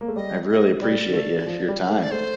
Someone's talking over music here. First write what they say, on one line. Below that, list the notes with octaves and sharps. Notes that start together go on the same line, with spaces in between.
I really appreciate you for your time.
A#3
A3
G3 D#5
D#5
G3 D5
A3
F3
G3
A3
D5
A3 C5